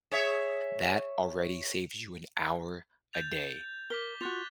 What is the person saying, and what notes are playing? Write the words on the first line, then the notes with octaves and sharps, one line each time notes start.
that already saves you an hour a day
G#4 C#5 E5
G6 A6 F7
A#4 D6 B6 G7
F4 F#4 F#6 A6 F7